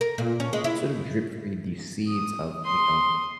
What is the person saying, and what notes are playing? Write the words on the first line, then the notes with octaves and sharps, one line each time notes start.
sort of drip-feed these seeds of, you know,
A#4
A#2
C#4
G#3
E4
D#6
C6 D#6